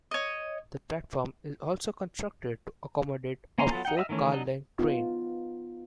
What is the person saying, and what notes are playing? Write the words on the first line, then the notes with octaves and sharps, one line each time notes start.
The platform is also constructed to accommodate a four-car-length train.
C#5 D#5
A#3 C#4 G#5 A#5 C6
F#3 B3 F4 A4
D#4 F#5 G5
D#5 E5 B5 E6 F6
D#3 E3 A3 C#4
F#3 D4 D#4 D#5
B3 D#4 F4